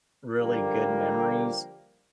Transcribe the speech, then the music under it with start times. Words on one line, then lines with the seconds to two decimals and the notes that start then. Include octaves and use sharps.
really good memories,
0.39 D3 F3 G3 A#3 G4